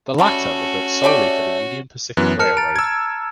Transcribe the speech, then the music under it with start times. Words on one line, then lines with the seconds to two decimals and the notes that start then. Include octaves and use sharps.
The latter were built solely for the Union Pacific Railroad.
0.18 G3 A3 C#4 F#4 A5
1.04 A3 G4 C#5 D5
2.17 F#2 E3 B3 F#6
2.39 A#4 A5 F6 C#7
2.57 A#5 A6 D7
2.76 E6 G#6